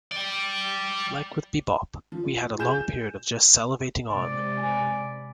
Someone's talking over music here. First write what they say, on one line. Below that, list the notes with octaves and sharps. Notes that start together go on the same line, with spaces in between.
Like with bebop, we had a long period of just salivating on.
D5 G5
F3
G#4 G6 E7
C3 G#3 D5
G#5 B5